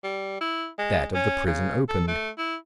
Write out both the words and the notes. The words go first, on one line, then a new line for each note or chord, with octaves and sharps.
That of the prison opened.
G3
E4
G#3
C#4
C#3
A4
A3
E4